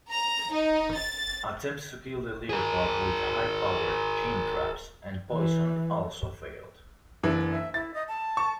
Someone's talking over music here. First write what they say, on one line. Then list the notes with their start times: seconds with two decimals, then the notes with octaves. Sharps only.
Attempts to kill the leopard with high powered gin traps and poison also failed.
0.11 A#5
0.53 D#4
0.97 A6
2.49 G#4 A#4
5.31 E3
7.23 F#1 E3 D4 D5
7.51 E5
7.74 E4 A6
7.94 D#5
8.08 A5
8.37 C#6